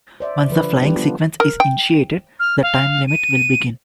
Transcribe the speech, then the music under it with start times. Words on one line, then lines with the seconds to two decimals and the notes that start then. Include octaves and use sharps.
Once the flying sequence is initiated, the time limit will begin.
0.20 C5 D5 E5
0.50 D3 F3 B4
0.81 G3 B3 D4 G4
0.96 B3 F4
1.40 A#4
1.60 G5
2.40 F6
2.63 F5
3.07 D#7